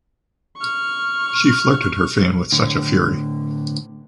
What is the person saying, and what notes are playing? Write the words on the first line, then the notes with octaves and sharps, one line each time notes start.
She flirted her fan with such a fury.
C#6 F6
A2 D3